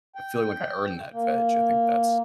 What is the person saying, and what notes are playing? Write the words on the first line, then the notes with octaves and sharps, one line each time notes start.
I feel like I earned that veg. I think that's
G5
A#3